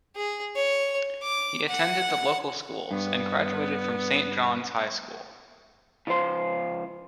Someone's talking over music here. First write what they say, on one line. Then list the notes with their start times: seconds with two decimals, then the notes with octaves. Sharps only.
He attended the local schools and graduated from Saint John's high school.
0.16 G#4
0.56 C#5
1.23 D6
1.68 F#5
2.91 G2 B3
6.07 C#3 F3 F4 C5 C6